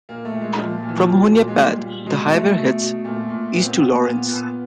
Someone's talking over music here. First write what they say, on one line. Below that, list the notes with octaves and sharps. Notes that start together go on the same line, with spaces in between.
From Honea Path, the highway heads east to Laurens.
A#2 A#3
A3
A#2
G#3
A#2 F3
A#2
E3
F3
A#2 F#3
A#2
G#3
A#2 G3
A#2
B2 G#3
B2 A3
B2
B2
A#2 A3
A#2
A#2 B3
C4
B3
A#2
A#2 B3
A#2